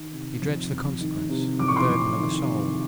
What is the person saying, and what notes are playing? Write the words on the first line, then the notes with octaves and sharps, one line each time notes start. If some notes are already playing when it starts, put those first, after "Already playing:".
He dreads the consequence--the burden of a soul.
Already playing: D#3
C3
F2
F2
D#3
C3
F2 D6
C#6
C6 D6
F2
D#3
C3